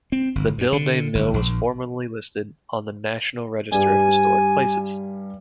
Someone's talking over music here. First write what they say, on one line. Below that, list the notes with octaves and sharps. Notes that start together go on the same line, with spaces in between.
The Dilday Mill was formerly listed on the National Register of Historic Places.
C4
G1
G2
D3
G1
A#1
G2 G3 G#5